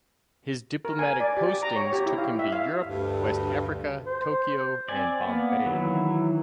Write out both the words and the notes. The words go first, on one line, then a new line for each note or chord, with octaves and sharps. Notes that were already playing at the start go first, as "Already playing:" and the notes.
His diplomatic postings took him to Europe, West Africa, Tokyo and Bombay.
A#4
G#5
D5
G4
D6
A#5
C#5
G4
E4
F5
E5
F5
D2 G2
C5
C4 D5 G#5
A#3 B3
D#3 E3 F#3 E4